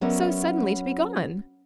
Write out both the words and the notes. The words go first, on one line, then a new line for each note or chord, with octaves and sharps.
So suddenly to be gone!
F#3 B3 C#4 A#4 D5 E5